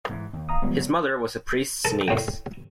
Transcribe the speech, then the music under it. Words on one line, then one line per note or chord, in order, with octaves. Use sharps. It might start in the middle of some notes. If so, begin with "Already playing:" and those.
His mother was a priest's niece.
G#2 D#3 E3
D#2
F5 A#5 D#6
E1 C#2 D3 F3 G3 B3
F#1 F#3
A4
A2 G5